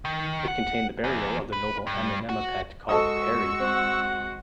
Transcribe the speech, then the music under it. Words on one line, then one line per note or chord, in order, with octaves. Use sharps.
It contained the burial of the noble Amenemopet called Pairy.
D#3
F#5
E2
B4
G2
F#4
G#3 F#4 A4 D#5 C#6 D#6 E6
C4 F#5